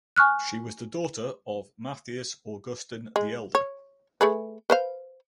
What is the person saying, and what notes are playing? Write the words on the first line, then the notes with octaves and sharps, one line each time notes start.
She was the daughter of Mathias Augustin the Elder.
G#5 C#6 F6 F#6
G#3
C#5
A3 G#4 B4
B4 C5 F5